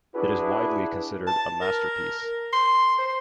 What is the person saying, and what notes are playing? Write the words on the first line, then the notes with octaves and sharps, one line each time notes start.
It is widely considered a masterpiece.
D4 E4 F#4 G#4 B4
A5
A#4
C6
C5